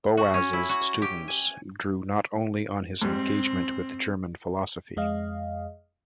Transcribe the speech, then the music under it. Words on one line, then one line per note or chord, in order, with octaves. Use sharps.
Boas's students drew not only on his engagement with German philosophy.
F#4
C#4
E4
F#4
G4
G#5
G#2 G3 C4
F2 G#3 D#5 F5